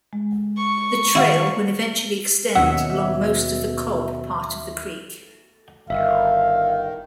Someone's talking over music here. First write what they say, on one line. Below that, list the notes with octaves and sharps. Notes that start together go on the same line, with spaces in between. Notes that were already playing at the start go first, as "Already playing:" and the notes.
The trail will eventually extend along most of the Cobb part of the creek.
G#3
C#6
D#3 E4 F#4 F5
D#2 B2 F#3 C#4 D#4 E5 F#5
G1 D#3 E5 F5